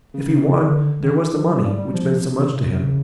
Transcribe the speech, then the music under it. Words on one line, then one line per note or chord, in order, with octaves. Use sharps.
If he won, there was the money, which meant so much to him.
C#3
C#3
C#3
D3
D#3
E3
F3
F#3
G3
G3
F3
E3
C3
C3
C#3